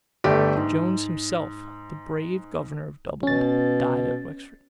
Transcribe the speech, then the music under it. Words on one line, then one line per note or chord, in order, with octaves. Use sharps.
Jones himself, the brave governor of Dublin, died at Wexford.
G1 A3 G4 D5
G#2
B2 C#4 A6